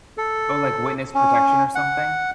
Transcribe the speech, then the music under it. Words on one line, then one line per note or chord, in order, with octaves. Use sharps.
Oh, like witness protection or something?
A4
C#4
F#5